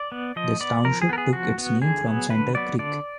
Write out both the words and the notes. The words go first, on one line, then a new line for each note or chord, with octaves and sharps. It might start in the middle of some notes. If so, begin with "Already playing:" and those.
This township took its name from Center Creek.
Already playing: D5
B3
F3 D#5
B3 D5
F3 A#4
G#4
B3 A#4
G#4
F3 F#4
B3
D3 G#4
F#3 B3
D3 B4
F#3 B3 D5
D3 D5